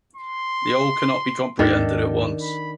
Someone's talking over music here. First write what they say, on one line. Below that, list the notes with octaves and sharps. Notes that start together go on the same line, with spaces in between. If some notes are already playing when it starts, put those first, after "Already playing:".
The whole cannot be comprehended at once.
C6
D#2 G#2 D#3 D4 A4
B5